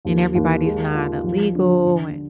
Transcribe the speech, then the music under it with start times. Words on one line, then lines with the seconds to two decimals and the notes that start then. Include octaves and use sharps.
and everybody's not illegal, and
0.05 D#2
0.35 D#2
0.65 G#3
0.95 F4
1.24 F3
1.55 D3
1.84 D3